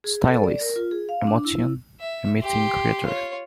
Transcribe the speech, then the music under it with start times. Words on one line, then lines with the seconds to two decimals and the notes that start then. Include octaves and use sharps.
Stylist, emotion emitting creator.
0.04 G#4
0.28 A4
0.44 D5
0.61 A#4
0.76 F4
0.91 G#4
1.09 F5
1.27 D4
1.45 E4
2.00 E5
2.42 G4 C6
3.06 F4 C#5